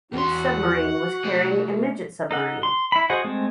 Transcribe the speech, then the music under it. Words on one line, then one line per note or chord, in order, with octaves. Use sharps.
Each submarine was carrying a midget submarine.
E2 F#4 F#5 C6
A3 D#4
D#4 A4 F#5
C6
E4 B5
F#4 G#4 C5 D#5 F#5
G#3 A3 C4